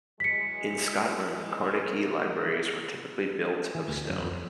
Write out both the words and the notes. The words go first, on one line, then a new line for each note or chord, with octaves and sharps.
In Scotland the Carnegie libraries were typically built of stone.
E3 F#3 G#3 B6 C#7
E4 F#4 A#4
E3
D2
F#2
F2